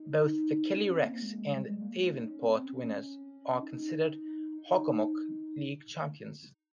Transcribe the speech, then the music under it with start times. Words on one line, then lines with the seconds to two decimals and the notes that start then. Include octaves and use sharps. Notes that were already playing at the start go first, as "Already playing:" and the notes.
Both the Kelley-Rex and Davenport winners are considered Hockomock League champions.
Already playing: D#4
0.74 C#4
0.90 C4
1.05 A#3
1.21 G#3
1.38 G#3
1.54 G3
1.69 G#3
1.81 A#3
2.05 D#4
2.18 C#4
2.42 C4
2.66 C#4
3.62 D#4
4.58 D#4